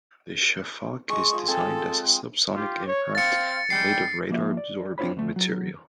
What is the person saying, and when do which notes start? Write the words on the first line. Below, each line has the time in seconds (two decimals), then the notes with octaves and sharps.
The Shafaq is designed as a sub-sonic aircraft, and made of radar-absorbing material.
1.09 G#3 D#5 C#6
1.33 F3 D#5
1.48 C4 A4 G#5
2.54 F4 G4
2.86 C#5
3.15 C4 F5 A6 C#7
3.70 G3 G#3 G5 C7
4.30 F3 A#3 E5
4.57 D5
4.98 C4 D4 F4 C5 C#5 B5
5.17 D2 A3
5.36 F#3